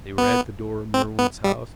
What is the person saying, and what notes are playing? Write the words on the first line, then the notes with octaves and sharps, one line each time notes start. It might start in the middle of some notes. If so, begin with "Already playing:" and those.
They were at the door of Merwin's house.
B3
C4
B3
G3